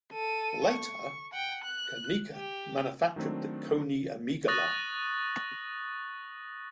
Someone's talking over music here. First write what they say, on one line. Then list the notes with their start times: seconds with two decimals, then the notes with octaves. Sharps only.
Later, Konica manufactured the Koni Omega line.
0.13 A4 D#7
0.65 C#6
1.32 F#5 G5
1.64 F#6
2.33 G4
3.16 D#3 F#3 A3 C4 D4
4.48 C#6 D#6 F#6 A6 A#6 F#7